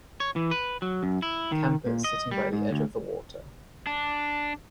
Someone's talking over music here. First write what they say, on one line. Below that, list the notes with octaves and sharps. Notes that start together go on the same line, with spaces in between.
Campers sitting by the edge of the water.
C#5
E3
B4
F#3
F#2
E4
D#3
A#2
D#5
G3
G#2
D2
D4